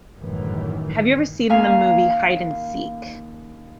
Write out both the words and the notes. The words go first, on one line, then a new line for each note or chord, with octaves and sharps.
have you ever seen the movie Hide and Seek?
G1 F#2 A2 D#3 E3
D#2 A#3 C#4 F5 G#5